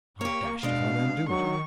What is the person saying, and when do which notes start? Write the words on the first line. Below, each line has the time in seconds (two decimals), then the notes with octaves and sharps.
'I'm dashed if I don't do it.
0.21 A#3 G4 C#5 C#6
0.63 B2 G#3 D4 F5
1.29 D#3 F#3 C#6